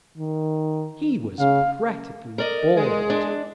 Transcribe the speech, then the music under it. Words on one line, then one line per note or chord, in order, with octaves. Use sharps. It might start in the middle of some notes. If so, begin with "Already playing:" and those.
He was practically bald.
D#3
C#3 F5
A#4 D5 D#5
G#3
D4